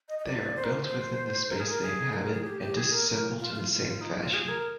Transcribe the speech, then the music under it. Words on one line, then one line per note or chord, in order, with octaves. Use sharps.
They are built within the space they inhabit and disassembled in the same fashion.
D#5
D#5
D5
C5
A#4
C5
C5
A#4
G#4
A#4
G#4
A#4
G#4
G4
G4
G#4
A#4
A#4
F4
F4
F4
F4
D#4
F4
G#4
A#4